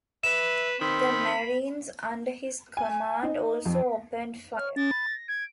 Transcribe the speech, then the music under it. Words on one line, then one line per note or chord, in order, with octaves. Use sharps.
The marines under his command also opened fire.
B4 E5 E7
D#3 C4 B5
G#5
D#4
F2
C#5 F6
C#4 A6
B5
A#6
G#6 D7